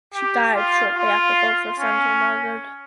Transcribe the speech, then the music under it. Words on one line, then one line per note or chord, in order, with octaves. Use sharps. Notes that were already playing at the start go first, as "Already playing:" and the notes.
She died shortly after both her sons were martyred.
G4
F4
F4
C#4